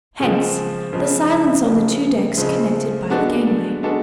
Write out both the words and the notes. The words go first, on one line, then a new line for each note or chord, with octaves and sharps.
Hence the silence on the two decks connected by the gangway.
C#3 F3 G#3 C4
C#3 F3 G#3 C4
C#3 F3 G#3 C4
C#3 F3 G#3 C4
G#3 B3 D4 F#4 A4
G#3 B3 D4 F#4 A4